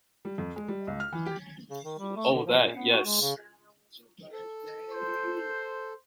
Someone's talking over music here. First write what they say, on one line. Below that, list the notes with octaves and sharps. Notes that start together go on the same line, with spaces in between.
Oh, that, yes.
G3
F2
G#3
G3
C#2
F6
E3
G4
C#3
D#3
G3
A3
D3
F3
A#2
B3
F#4
G#3
C#3
A4
C5